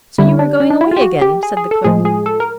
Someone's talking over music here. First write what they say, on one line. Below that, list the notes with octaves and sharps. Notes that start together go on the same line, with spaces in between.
"So you are going away again!" said the clerk.
D3 G3 E4
D4
C#4
D4
E4
F4
G4
F#4
G4
G#4
G#4
A4
A2 F3 G#3 G#4
G#4
A4
A#4